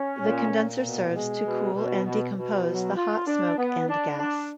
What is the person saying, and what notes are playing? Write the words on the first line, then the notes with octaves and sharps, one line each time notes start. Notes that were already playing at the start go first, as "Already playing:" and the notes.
The condenser serves to cool and decompose the hot smoke and gas.
Already playing: C#4
A#2
A#2
B2
G#3
B2
B2
B2
B2
F#3
F4
D4
B3
D4
D4